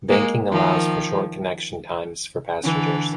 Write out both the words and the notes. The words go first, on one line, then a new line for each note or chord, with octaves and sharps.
Banking allows for short connection times for passengers.
G#3 A#3
D#3 F3
D3 E3